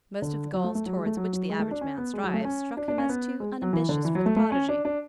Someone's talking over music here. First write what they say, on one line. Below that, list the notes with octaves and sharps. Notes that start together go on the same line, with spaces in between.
Most of the goals towards which the average man strives struck him as too unambitious for the prodigy.
D3
F#3
A3
A3
F#3
G#3
A3
F#3
F#3
G#3
A3
D4
C#4
B3
G#3
F#3
A3
C#4
D4
D4
C#4
B3
G#3
F#3
E3
D3
E3
F#3
A3
A3
C#4
D4
D4